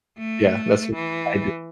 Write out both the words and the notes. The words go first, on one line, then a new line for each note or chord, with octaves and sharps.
Yeah, that's what I do.
A3
E3